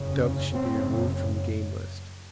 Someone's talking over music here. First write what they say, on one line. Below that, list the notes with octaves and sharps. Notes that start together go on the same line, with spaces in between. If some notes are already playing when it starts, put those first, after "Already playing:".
Doves should be removed from the game list.
Already playing: F#1 E2 C#3
C#4
F#1 F#2 C#3 C4